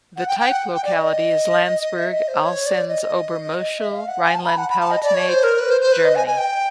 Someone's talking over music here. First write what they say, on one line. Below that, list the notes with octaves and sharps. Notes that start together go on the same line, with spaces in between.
The type locality is Landsberg, Alsenz-Obermoschel, Rhineland-Palatinate, Germany.
F#5
G5
G5
F#5
G5
D5
D#5
E5
D#5
C5
C#5
D5
D#5
E5
F5
F#5
G#5
A5
B5
F#5
B5
A5
D#5
D5
C#5
C5
A#4
B4
C5
C5
B4
D#5
G#5
G#5
G5